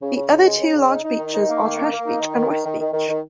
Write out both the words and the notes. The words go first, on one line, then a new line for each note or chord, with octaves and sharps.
The other two large beaches are Trash Beach and West Beach.
C#3
C#3
C#3
G#3
C#3
C#3
D#4
D#4
D#3
D#4
A#3
D#3
A#3
A#3
D#4
D#3
D#3
D#3
D#3
D#3
D#3
D#3